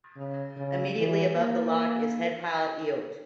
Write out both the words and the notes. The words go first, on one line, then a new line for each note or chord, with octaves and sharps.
Immediately above the lock is Headpile Eyot.
C#3
C#3
E3
A#3